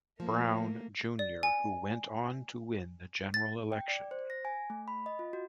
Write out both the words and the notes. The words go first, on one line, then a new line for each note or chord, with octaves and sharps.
Brown, Junior who went on to win the general election.
F3 A3 A#3
D5
G#5
A6
G5
D5
C5
A#6
G#5
A3
B5
D#5
F4
F#4